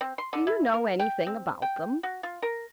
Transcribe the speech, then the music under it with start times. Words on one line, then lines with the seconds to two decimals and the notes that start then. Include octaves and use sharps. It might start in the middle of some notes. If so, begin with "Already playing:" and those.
Do you know anything about them?'
0.01 C4
0.18 C6
0.33 D3
0.47 E4
0.74 A#4
1.00 G5
1.26 C4
1.62 G5
2.03 F#4
2.23 F4
2.42 A#4